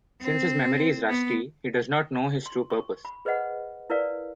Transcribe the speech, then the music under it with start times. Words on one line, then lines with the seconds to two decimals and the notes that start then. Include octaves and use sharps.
Since his memory is rusty, he does not know his true purpose.
0.21 C4
1.09 B3
2.46 C6
2.70 C#6
3.05 B5
3.25 G#4 B4 C5 D#5 F#5
3.90 E4 A#4 B4 D5 F5